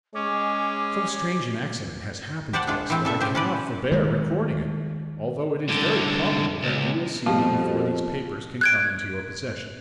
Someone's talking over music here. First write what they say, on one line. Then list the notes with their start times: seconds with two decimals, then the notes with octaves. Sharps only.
So strange an accident has happened to us that I cannot forbear recording it, although it is very probable that you will see me before these papers can come into your possession.
0.14 G#3 C#4 D6
2.53 G4 C5 D5 F#5 A5
2.67 G#3 D4 F4
2.90 E3 C4
3.05 C#3 A4 E5
3.20 A2 G4 C5
3.35 C#4 B4 D5
3.92 D#3 G#3
5.68 C2 D3
6.63 C#2
7.26 F2 B2 F3 G3
8.61 F#6 G#6 D7